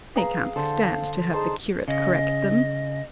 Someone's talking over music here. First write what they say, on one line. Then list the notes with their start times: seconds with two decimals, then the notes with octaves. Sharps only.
They can't stand to have the curate correct them.
0.16 G#4 B4 F5 A#5
0.56 D3 A4 C5
1.33 D#4 G#4 C5 A5
1.88 C#3 D#5